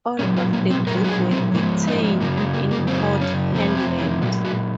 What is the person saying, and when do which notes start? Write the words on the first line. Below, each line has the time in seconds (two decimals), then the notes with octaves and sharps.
All of the group were detained in Port Hedland.
0.19 A#2 F#3 C#4
0.37 F4
0.53 A#3
0.70 C4
0.87 A#2 F#3 A#4
1.04 F#4
1.09 G#4
1.31 C4
1.54 G#2 F3 A#3
1.87 D#4
1.98 D#4
2.04 C#4
2.20 F#2 C#3 F#3 A#3
2.37 G#3
2.54 A#3
2.71 A#3
2.87 F#2 C#3 F#3 C4
3.21 C#4
3.55 F2 C3 F3 C4
3.77 C4
3.99 C#4
4.21 A#2 F#3 F#4
4.44 F#4